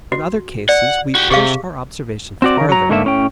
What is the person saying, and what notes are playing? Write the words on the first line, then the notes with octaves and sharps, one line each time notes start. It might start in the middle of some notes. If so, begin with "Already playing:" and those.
In other cases we push our observation farther.
F#4
D5 F#5
F#4 G4
C3 G4 G#4 F5
C4 F#4 D5
D#3 A#4
F#3 A#5
G#2 D3 A3 A#3 A4 E5
A2 C#4 G5